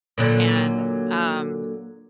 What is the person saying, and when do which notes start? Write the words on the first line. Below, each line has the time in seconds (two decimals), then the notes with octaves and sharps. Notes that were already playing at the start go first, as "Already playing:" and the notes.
and, um
0.18 A#2 D3 F#3